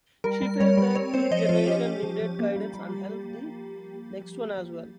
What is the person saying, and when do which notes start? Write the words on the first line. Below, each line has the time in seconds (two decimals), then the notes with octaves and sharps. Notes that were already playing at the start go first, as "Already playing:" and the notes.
She felt that each generation needed guidance and help the next one as well.
0.24 G3 A#4
0.42 G3
0.60 G3 C#5
0.78 G3
0.95 C4 C#5
1.14 C4 C5
1.31 F3 D#5
1.49 F3 F4
1.67 C#4 G4
1.85 C#4
2.03 F3
2.21 F3
2.39 A#3
2.56 G3
2.74 G3